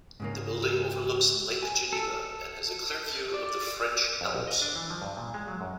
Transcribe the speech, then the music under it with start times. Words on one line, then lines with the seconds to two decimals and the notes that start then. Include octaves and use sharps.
The building overlooks Lake Geneva and has a clear view of the French Alps.
0.20 G#2 C#3 A#3
1.63 G#5
1.93 A4
3.34 D5
4.21 F2
4.34 A#1
4.47 D#5
4.62 D4
4.76 E3
4.90 F3
5.02 G2
5.17 A#2
5.34 G#3
5.48 F#3
5.61 F#2